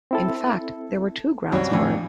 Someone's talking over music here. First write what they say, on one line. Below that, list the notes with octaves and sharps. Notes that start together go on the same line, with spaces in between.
In fact, there were two grounds for it.
C4 E4 A4
C2 F#3 C#5
F2 A2 D4 G#5